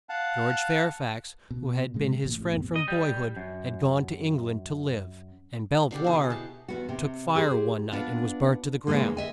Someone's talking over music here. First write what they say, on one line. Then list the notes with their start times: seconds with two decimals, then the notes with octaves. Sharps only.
George Fair-fax--who had been his friend from boy-hood--had gone to Eng-land to live, and Bel-voir took fire one night and was burnt to the ground.
0.09 F5 F#5 A5
1.51 B2
1.94 A#2 C#3 G#3
2.24 A1 A#2
2.38 A2 C3
2.53 A#1 F#2 B3
2.76 D#5
2.88 G3
3.37 F#2
5.91 B2 D3 G4 A4
6.04 E4 G#4
6.30 G4 A5
6.68 E2 B3 F#4
6.89 C3
7.35 G4 G#4 B4 C5
7.92 B3 D4 F4
8.87 E2 A2 D3 G#3 A#3
9.17 D#5 E5 G#5